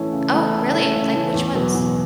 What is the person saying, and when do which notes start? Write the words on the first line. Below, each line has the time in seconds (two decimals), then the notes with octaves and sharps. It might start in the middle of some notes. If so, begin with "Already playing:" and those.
Oh, really? Like, which ones?
Already playing: E3 A3 C#4
0.13 C#3
0.33 E3 A3 C#4
0.53 C#3
0.73 E3 A3 C#4
0.94 C#3
1.14 E3 A3 C#4
1.34 E2
1.53 B2 F#3 B3
1.74 E2